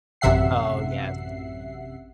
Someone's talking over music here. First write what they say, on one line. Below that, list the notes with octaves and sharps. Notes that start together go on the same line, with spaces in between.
Oh, yes.
A1 F#2 C3 E5 F#5 C7